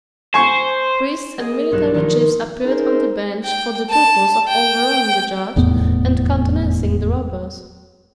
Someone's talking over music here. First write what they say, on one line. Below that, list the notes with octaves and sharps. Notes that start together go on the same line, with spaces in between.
Priests and military chiefs appeared on the bench for the purpose of overawing the judge and countenancing the robbers.
C5 G#5 C#6
A#3 G#4 D#5
B1 G2 D#4 F#6 E7
D#3 F3 A3 A#3 D#4 F4
C#4 D#4 G#4 A#4 C5
G5
A5
G5
F1 E2 A2 B3